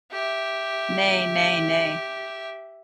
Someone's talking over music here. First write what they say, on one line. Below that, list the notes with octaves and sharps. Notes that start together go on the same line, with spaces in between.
Ne, ne, ne.
G4 E5